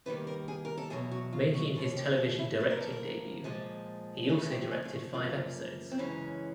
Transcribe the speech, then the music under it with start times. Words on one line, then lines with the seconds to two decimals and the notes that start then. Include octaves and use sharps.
Making his television directing debut, he also directed five episodes.
0.06 G2 D#3 G3 A#3 B4
0.27 A#4
0.48 G#4
0.65 A#4
0.77 A4
0.90 E2 B2 F#3 G#4
1.11 F#4
1.33 F4
1.54 F#4
1.75 D#2 C#3 F3 A#3 F#4
1.96 G4
2.17 G#4
2.39 E4
2.59 A2 F3 A#3 B4
2.70 A#4
2.81 A4
2.92 A#4
3.44 A#2 F3 G#3
4.29 F2 C#3 F3 A3 G#4
4.50 G4
4.62 G4
4.71 G#4
4.85 F4
4.92 F#4
5.14 F#2 C#3 F3 A#3 F4
5.91 C4
5.98 F#2 C#3 E3 G#3 C#4